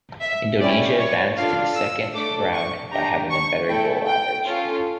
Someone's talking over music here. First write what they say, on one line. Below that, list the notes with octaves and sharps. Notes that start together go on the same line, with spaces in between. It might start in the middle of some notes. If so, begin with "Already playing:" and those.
Indonesia advanced to the Second Round by having a better goal average.
E5
C#4 E4 G4 D5
C#5
D4 F4 A4 F5
E6
A3 D4 A4 D6
C#6
D4 G4 A#5
C#6
A3 E4 A4 G5
G5
C#4 F4 A4